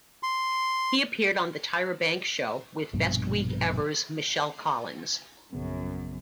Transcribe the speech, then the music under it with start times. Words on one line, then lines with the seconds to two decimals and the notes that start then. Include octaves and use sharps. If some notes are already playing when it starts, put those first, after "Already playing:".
He appeared on "The Tyra Banks Show" with "Best Week Ever"'s Michelle Collins.
0.23 C6
2.93 A#1 G2 B2
5.53 A#1 F#2 C#3 B3